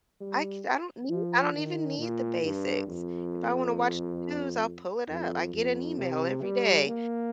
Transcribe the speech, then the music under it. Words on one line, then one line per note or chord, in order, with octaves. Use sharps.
I c I don't need I don't even need the basics. If I wanna watch the news, I'll pull it up. I get an email every day
G3
F3
D#3
A#2
G2
F2
F2
F2
C3
G3
A#3